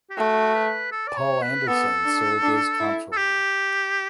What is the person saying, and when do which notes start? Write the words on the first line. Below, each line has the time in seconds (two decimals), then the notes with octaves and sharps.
Paul Anderson served as Comptroller.
0.10 G4
0.17 A3 F#4
0.55 B4
0.92 A4
1.08 D5
1.17 C#5
1.42 B4
1.68 B3 A4
2.05 D4
2.42 D4
2.80 E4
3.12 A4
3.17 G4